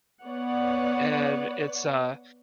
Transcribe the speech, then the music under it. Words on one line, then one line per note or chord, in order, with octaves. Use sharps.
And it's a
B3 B4 C#5 D5 F#5